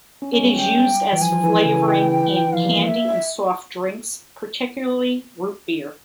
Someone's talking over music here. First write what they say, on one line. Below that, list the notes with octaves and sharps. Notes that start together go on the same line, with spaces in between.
It is used as a flavoring in candy and soft drinks, particularly root beer.
C#4
C#4
G#3
G3
G5
E3
F3 G#5
F3
E3
E3
C#3
E3
E3 G5
F3 F5
G3
A#3
E5